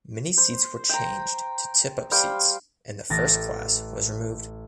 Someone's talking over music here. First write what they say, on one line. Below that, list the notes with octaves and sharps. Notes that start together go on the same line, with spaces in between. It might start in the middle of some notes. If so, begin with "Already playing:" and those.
Many seats were changed to tip up seats and the first class was removed.
C5
G5 A#5
G3 C5 F5 G5
A1 A6 A#6